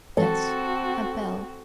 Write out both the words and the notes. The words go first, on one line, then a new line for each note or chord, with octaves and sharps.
Yes ... a bell ...
E3 F#3 G#3 C4 F#4 A4